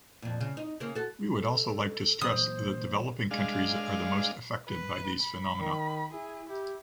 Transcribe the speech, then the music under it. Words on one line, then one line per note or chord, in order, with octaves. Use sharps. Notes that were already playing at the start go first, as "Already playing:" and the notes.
We would also like to stress that developing countries are the most affected by these phenomena.
F2 A#2
C#3
D#4
C#3 A#3 A#4
F#4 A4
A4
A#2 E3 F#3 C5 D#6
G#3 D4 F5
B4
B5
D#3
E4 G#4
E4 G4